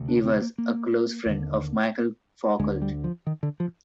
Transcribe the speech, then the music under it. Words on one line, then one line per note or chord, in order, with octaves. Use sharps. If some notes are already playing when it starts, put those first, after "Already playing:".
He was a close friend of Michel Foucault.
Already playing: D2 C3
D4
C4
A#3
A#3
D#2 D3
D2 D3 G#3
G3
F3
D#3
D3
F3